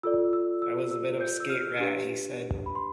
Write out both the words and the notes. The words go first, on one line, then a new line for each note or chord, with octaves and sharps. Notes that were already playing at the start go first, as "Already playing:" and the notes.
"I was a bit of a skate rat," he said.
F4 A4 D5 E6
E6
E6
E6
G6
E6
F6
D4 G4 B4
B5
C6